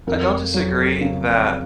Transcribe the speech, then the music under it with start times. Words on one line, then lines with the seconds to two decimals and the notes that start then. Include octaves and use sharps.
I don't disagree that
0.07 F2 A#4
0.54 F#3
1.01 C#3